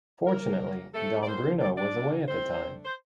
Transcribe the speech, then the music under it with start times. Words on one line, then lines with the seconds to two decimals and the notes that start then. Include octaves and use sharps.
Fortunately, Dom Bruno was away at the time.
0.26 C3 A#3 A#4
0.61 F#3 A#3
0.93 C3 A3 A4
1.22 D5
1.27 F#3 A#3 C4 C5
1.60 C3 D5
1.78 D4 D5
1.93 F#3 A#3
2.27 A2 C4 C5
2.61 A3 D4
2.85 C5